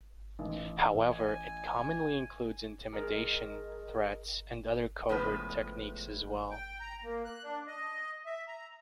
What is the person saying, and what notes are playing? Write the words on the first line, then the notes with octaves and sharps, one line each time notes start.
However, it commonly includes intimidation, threats, and other covert techniques as well.
A1
G#5
G#4 A#4 D#5
A2 C#3 F3 G#3 B3 B4
G5
A#5
A#3
F#6
D4
D#5
E5
A#5